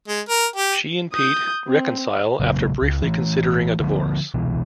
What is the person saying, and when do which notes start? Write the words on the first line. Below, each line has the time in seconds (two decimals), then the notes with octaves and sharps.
She and Pete reconcile after briefly considering a divorce.
0.08 G#3
0.29 A#4
0.56 G4
1.13 D#6 G6
1.67 C4
2.40 A#1 C#3 F#3 A#3
2.82 C#2
3.02 E3 A3
3.80 D3 F3 G#3 B3
4.34 C2 B2 E3